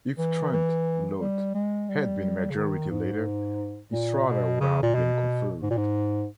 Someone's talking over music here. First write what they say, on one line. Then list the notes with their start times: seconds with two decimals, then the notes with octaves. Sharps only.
If Trent Lott had been majority leader, Estrada would have been confirmed.
0.18 E3
0.53 E3
1.21 G3
1.55 G#3
1.89 G3
2.51 C#3
2.57 D#3
2.90 G#2
3.92 A#2
4.27 B2
4.61 C#3
4.83 A#2
4.95 B2
5.63 G#2
5.71 A#2
5.78 G#2